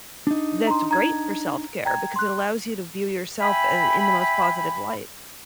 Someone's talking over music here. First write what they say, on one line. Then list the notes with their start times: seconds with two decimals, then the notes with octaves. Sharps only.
that's great for self-care because it allows you to view yourself, uh, in the most positive light.
0.27 D4 D#4
0.67 A#5 C6
0.91 A#5 G#6
1.85 G5 A#5 G#6
2.16 C6 F#6
3.41 E5 G5 G#5 B5